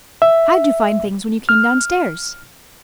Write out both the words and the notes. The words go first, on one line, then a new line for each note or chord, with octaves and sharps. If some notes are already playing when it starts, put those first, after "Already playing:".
How'd you find things when you came downstairs?
E5
F6